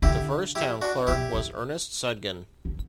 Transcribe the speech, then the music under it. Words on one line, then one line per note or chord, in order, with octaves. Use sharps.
The first Town Clerk was Ernest Sudgen.
D3 E4 G4
E4 G4
D4 F#4
B2 E4 G4
D3
D3